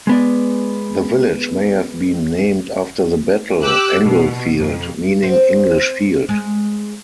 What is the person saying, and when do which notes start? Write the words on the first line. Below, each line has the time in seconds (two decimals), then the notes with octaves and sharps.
The village may have been named after the battle, Englefield meaning "English field".
0.07 G#3 B3 D5
3.63 G4 D6 E6 F#6
4.03 B2
4.60 F2
5.23 C4
6.29 G#3